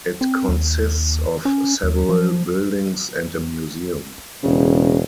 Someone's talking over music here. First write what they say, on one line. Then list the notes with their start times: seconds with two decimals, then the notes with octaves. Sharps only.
It consists of several buildings and a museum.
0.21 C4
0.49 D#2
1.45 C#4
1.83 D#2
2.09 F3
4.44 E1 C#3